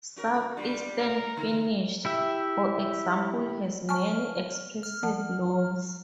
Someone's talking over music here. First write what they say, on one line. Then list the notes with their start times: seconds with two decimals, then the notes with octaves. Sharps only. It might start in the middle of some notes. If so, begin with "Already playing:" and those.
South-eastern Finnish, for example, has many expressive loans.
0.16 C#4 F#4 A#4
0.57 G3 D4 F4
0.98 A#4 A#5
1.37 D3 B3
2.05 E4 G4 E5
3.89 G#5 A5 C#6 F6
4.83 F6
5.03 F3 F#5 A5